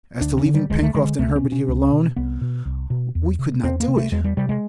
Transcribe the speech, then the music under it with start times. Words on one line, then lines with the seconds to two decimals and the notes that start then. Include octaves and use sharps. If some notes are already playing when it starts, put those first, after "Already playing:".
As to leaving Pencroft and Herbert here alone, we could not do it!
0.21 D2 D4
0.38 C#4
0.46 D3
0.54 G3
0.70 D2 G#3
0.82 A3
0.95 D3 G#3
1.18 C#2 A3
1.36 C#4
1.44 B2
1.52 C#4
1.68 C#2
1.92 B2
2.16 C2 B3
2.41 B2
2.65 C2
2.90 B2
3.15 E2
3.39 C3
3.63 E2 C4
3.80 A#3
3.88 C3
3.97 A3
4.12 E2 G#3
4.24 G3
4.37 C3 G3
4.49 G#3